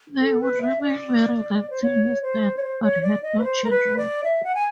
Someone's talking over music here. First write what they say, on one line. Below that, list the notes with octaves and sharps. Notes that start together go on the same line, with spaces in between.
They would remain married until his death, but had no children.
A4
B4
E5
D5
C5
C#5
C5
C#5
C5
C#5
D5
D#5
B4
C5
A#4
B4
D5
E5
F#5
G#5